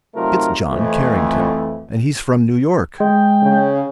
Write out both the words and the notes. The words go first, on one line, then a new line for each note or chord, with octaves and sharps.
It's John Carrington, and he's from New York!
C3 F#3 A3 D#4 F4 A#4
F2 E3 A3
G#3 G5
C#3